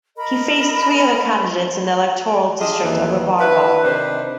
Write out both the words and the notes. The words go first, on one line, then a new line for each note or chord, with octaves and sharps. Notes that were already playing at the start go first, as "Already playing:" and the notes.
He faced three other candidates in the electoral district of Roberval.
A#4 D#5 B5
D4 F4 G4 G#4 D#5
D#2 A2 E3
D4 E4 B4
C3 D#3 D4 B4 C5